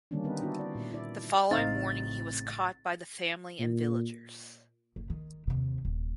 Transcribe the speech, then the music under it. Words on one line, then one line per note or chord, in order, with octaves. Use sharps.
The following morning he was caught by the family and villagers.
D3 D#3 G3 A#3 C#4 D4
G3 B3 C4 D#4 B4
B3 D4 E4 F#4
D5
A#2
E4 D5
A1 C#3 C4 D#4 F5 A6
A#2
F#1
D#3
D#2 C3
D#1